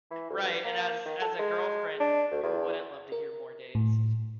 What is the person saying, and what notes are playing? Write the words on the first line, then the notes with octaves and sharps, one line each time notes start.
Right, and as as a girlfriend, who wouldn't love to hear more dates?
E3
D2
G2
A#3
D#3
A4
G#3
D4
D2
E2
A#4
A2